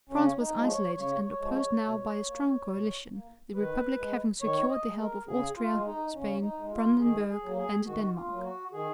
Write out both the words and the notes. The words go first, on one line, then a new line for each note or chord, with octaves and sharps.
France was isolated and opposed now by a strong coalition, the Republic having secured the help of Austria, Spain, Brandenburg and Denmark.
C#3 C#4
D#4
F3 G#3
C#5
C#3 C#5
C#5
F3 G#3
C#5
B2
A#3
B2
A#3
D#3 B4
G#3
D#3 C#5
D#5
G#3
A#4
C#3 G#4
F4
G#3
D#4
C#3 C#4
D#4
G#3
F4
D#3 G#4
G#4
F#3 A#3
G#4
D#3 F#4
F4
F#3 A#3
F#4
D#3 G#4